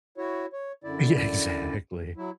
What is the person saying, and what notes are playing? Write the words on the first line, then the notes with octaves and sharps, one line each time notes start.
Yeah, exactly.
E4 F#4 C#5
C#5
F#2 D3 E4 D5
F#3 E4